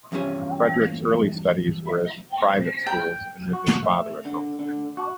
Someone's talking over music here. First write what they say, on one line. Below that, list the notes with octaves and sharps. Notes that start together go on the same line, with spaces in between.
Frederic's early studies were at private schools, and with his father at home.
E2 G2 C3 F3 C#4 G#5
G5
F#4
A3
D3
D3
F#4